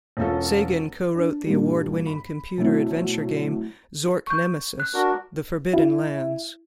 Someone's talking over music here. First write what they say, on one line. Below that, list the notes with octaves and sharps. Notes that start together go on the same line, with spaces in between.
Sagan co-wrote the award-winning computer adventure game, Zork Nemesis: The Forbidden Lands.
E1 C#4 F4 A4
D4
G2 A#2 G3
B5
B2 F#3 A3 C4 E4
C#6 G6
F#6
D4 F#4 A#4
E4